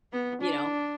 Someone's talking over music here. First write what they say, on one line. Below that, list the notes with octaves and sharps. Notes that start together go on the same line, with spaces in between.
you know
B3
D4